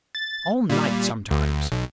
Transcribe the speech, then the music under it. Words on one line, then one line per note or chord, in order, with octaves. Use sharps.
All night sometimes....
A6
A#2 G3
D2
B1